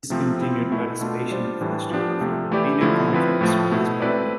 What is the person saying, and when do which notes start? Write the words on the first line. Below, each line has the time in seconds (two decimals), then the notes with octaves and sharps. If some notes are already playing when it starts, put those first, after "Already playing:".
He discontinued participation in the festival after repeated conflicts with his partner.
0.10 C3 F3 A3 C4
0.41 F3 C4 E4
0.71 B2 A3 E4
1.01 B2 A3 D4 F4
1.31 G3 D4 F4 C5
1.61 A2 E3 G3 D4
1.90 F3 B3 D4 G4
2.21 C3 F3 A3
2.51 E3 A3 E4 G4 D5
2.81 D3 F3 A3 E4
3.11 D3 F3 C4 E4 B4
3.41 A2 F3 A3
3.71 B2 A3 E4
4.02 A3 C4 E4 B4 D5